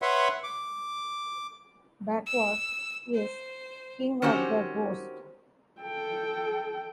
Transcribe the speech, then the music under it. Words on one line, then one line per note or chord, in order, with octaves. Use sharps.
Bakwas is king of the ghosts.
B4 C#5 E5 F#5 B5 C6
D6
E6
C5
D#3 C4 C#4 F#4 G4 C5
A4 G5